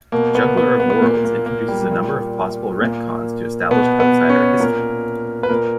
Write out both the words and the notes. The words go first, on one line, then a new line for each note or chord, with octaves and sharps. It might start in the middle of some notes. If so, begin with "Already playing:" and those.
"Juggler of Worlds" introduces a number of possible retcons to established Outsider history.
B2 A#3
B3
B3
B3
B3
A#2 A#3
A#3
A#3
G3
A#2
A#2 A#3
B2 B3
B3
C#4
A#2 A#4
B4
A#2 A#4